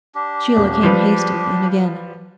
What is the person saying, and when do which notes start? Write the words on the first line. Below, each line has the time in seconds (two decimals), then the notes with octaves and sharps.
Sheila came hastily in again.
0.15 D4 G4
0.57 D#1
0.83 F3 G3 B4